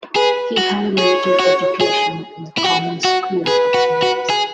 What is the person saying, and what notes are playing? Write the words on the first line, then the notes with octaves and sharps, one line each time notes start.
He had a limited education in the common schools of his native state.
G#4 B4
F#4
G#4 C#5
F#4
G#4
E4
F#4
F#4
G#4 B4
F#4
F#4
G#4